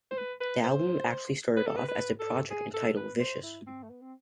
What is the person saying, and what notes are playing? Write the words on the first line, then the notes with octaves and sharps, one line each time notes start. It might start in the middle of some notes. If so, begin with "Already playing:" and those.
The album actually started off as a project entitled "Vicious".
C5
B4
B4
C5
B4
A4
B4
B4
A4
G#4
A4
B4
C5
E4
C4
A3
B3
C4